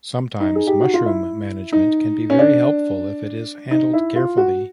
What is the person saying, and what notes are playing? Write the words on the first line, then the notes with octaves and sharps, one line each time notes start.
Sometimes, mushroom management can be very helpful if it is handled carefully.
D#4
G#4
G4
F#4
F4
E4
D#4
C#4
D4
D#4
E4
F4
F#4